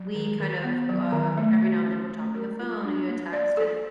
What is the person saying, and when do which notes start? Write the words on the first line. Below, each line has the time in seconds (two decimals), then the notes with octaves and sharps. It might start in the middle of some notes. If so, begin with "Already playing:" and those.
We kind of, uh, every now and then would talk on the phone and we would text and
Already playing: F#3
0.15 D#3
0.40 D#3
0.64 B3
0.89 F#3
1.13 D#3
1.38 A3
1.62 F#4
1.86 C#4
2.11 A3
2.35 A#4
2.59 F4
2.84 D4
3.08 A#3
3.33 D5
3.57 A4